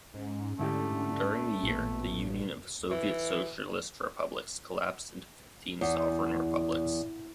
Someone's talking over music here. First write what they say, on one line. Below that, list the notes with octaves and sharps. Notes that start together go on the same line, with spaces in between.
During the year, the Union of Soviet Socialist Republics collapsed into fifteen sovereign republics.
G#2 C#4
G#2 D3 A3 E4 G4
A1 A#2 B3
E3
E2